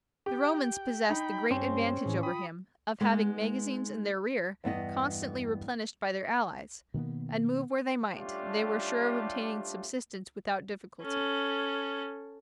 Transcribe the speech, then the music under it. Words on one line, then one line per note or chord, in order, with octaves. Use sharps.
The Romans possessed the great advantage over him of having magazines in their rear constantly replenished by their allies, and move where they might, they were sure of obtaining subsistence without difficulty.
G4 G5
D#4 G5 B5
G2 C4 C#4 C5 G5
A2 E3 E4 G#4
F4 G5 B5 D#6
G#3 B3 D#4
E2 G2 B3 D#5
B2 D#3 A#3 B3
G3 A3 C#4 D4 F4 G4
C#4 A4